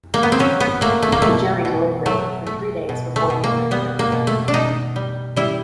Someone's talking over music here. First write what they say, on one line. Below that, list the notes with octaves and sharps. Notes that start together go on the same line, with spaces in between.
The jury deliberated for three days before delivering their verdict.
A#3
B3
C4
F#3 C#4
B3
A3 A#3
A3
A#3
B2 A3
B2
F#3 A3
A3
B2
A3
B2
A#3
G3 B3
A#3
B2
A3
D4
B2 D#4
G3
G3 E4